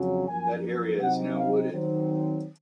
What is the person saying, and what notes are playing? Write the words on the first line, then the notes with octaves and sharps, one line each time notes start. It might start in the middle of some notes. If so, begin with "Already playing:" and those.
That area is now wooded.
Already playing: F2 C#3 F#3
F#2 F3 A#3 G#5
C3 F#3 C4 D#4 F#5
F5
D#3 F#3 C4